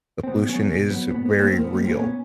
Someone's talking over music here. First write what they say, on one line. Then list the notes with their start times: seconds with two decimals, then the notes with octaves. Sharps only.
the pollution is very real.
0.24 C4
0.28 B2 B3
0.49 F#3 B3 C#4
0.69 B2
0.90 F#3 B3
1.11 A#2 B3
1.25 B3
1.33 G3
1.39 A#3 C4
1.53 A#2 A#3 C4
1.64 B3
1.74 G3 A#3
1.84 A#3 C4
1.95 A#2 B3 C#4